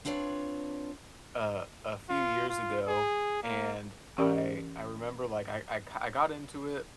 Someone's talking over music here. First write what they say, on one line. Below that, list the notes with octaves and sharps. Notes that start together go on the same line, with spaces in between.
uh, a few years ago, and I I remember like, I I I ki I got into it.
C4 D4 F4 B4 C#5
F4
F4
G#4
A#3
E3 C#4 G4 A#4 D5